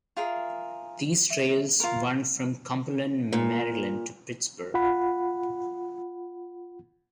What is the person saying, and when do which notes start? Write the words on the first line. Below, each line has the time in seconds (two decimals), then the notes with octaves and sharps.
These trails run from Cumberland, Maryland to Pittsburgh.
0.17 F4 G#4 A#4 E5
1.30 E5
1.80 F4 A#4
3.32 A#2
4.74 F4 F#5 B5